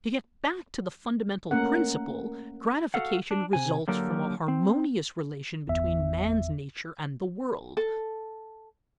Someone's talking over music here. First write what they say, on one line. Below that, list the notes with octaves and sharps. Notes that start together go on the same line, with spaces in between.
To get back to the fundamental principle: gratification results from a harmonious relation between man's nature and the world.
A3 A#3 C#4 A#4 F#5
F#4 A4 F5 F#5
D4
C3 G#5
D3 F#3 A#3 G4 A4 A#4
C4
G1 E2 E5
A4